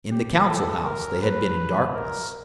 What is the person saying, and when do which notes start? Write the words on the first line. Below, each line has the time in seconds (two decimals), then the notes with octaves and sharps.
In the Council House they had been in darkness.
0.11 G4
0.48 A4
0.85 A#4
1.22 B4
1.95 A#4